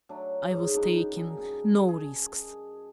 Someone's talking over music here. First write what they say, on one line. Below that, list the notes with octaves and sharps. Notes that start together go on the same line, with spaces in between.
I was taking no risks.
F#3 A3 D4
G#2
F#2 D4 D#4
G#4 A#4
G#4